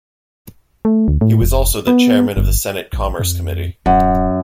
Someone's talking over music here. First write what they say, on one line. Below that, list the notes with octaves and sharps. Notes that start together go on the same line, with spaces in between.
He was also the Chairman of the Senate Commerce Committee.
A3
D2
A2
F1
B3
G1
A1
F2
D1 F#2